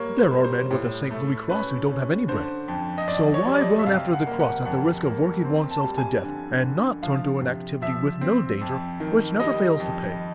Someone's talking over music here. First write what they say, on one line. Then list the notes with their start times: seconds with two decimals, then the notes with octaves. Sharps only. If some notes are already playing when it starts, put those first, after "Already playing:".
There are men with the Saint Louis cross who don't have any bread, so why run after the cross at the risk of working oneself to death and not turn to an activity with no danger which never fails to pay?
Already playing: G3 A#3 C#5
0.18 C5
0.31 G3
0.44 C5
0.71 A2
1.11 A3
1.49 C#4 B4
1.89 C#4
2.28 D3 C5
2.68 F2
2.98 D#5
3.07 F2 D5
3.34 C#5
3.45 G3 C#5
3.53 D5
3.61 D#5
3.79 E5
3.86 C3 F5
4.13 F#5
4.26 A#3
4.40 F#5
4.65 F2 F#5
5.05 A#3
5.45 C4
5.71 A5
5.84 G3
5.98 G#5
6.23 D3
6.63 D3
7.03 F3 F5
7.42 C3
7.82 F3 E5
8.21 C4
8.61 F2
9.00 D#3
9.40 G3 D#5
9.80 F2